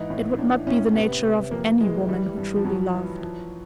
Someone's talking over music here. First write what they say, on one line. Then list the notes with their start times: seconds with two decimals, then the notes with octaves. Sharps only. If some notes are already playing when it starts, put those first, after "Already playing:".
"It would not be the nature of any woman who truly loved."
Already playing: G#2 E3 D#4
0.10 A2
0.39 A2 D4
0.67 A2 C#4
0.95 C3 B3
1.23 C3
1.51 F2 A#3
1.80 E3 G#3
2.09 E3 G3
2.37 G2
2.56 F3
2.65 G2 F#3
2.93 E3
3.22 F3